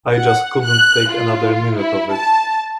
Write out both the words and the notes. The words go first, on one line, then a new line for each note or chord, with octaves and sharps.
I just couldn't take another minute of it.
F#5
F#6
F4
E4
A5